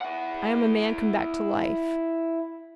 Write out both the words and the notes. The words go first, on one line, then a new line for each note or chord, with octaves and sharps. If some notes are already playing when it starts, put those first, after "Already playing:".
I am a man come back to life.
E4 F#5